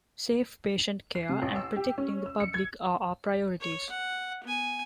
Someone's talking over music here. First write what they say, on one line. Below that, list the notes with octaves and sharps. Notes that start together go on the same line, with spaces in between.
Safe patient care and protecting the public are our priorities.
C7
C3
A1
E6
G4
C#4
E6
C#7
G#6
C#5
F#5
B3 G#5